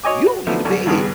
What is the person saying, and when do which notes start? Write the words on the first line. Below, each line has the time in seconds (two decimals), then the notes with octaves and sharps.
you don't need to be here.
0.04 F#4 C#5 D#5 G#5 D6
0.26 F#4
0.47 D3 F3 F#3 A3 B3 E4
0.65 C2 F#2 D3
0.86 G#1 C#2 G2 B3 G#4